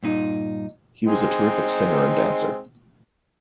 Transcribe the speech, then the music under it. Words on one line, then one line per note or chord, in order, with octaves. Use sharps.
He was a terrific singer and dancer.
G2 A#2 D#4
G#3 C4 D#4